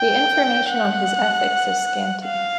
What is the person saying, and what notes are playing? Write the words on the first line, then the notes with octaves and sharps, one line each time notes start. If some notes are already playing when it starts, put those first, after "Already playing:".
The information on his Ethics is scanty.
Already playing: G5
F#5
F5